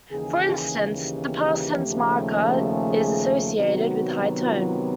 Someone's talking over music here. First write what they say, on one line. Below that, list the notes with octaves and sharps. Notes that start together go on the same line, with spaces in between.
For instance, the past tense marker is associated with high tone.
D#2 C#3 E3 G#4
G4
D#2 C#3 F3 A3
G#4
C3 D#3 F#3 B3 F#4
F4